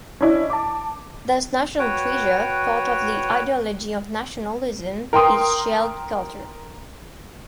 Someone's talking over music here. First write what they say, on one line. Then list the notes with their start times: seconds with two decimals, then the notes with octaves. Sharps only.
Thus national treasure, part of the ideology of nationalism, is shared culture.
0.21 C#4 D4 E4 D#5
0.50 A5 D6
1.79 F#4 B4 C#5 G5
5.13 A#4 G5 C6 D#6